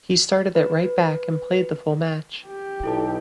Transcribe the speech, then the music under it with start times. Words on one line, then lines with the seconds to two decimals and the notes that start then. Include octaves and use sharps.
He started at right back and played the full match.
0.55 B4
2.48 G4
2.83 B1 E4 A4 A5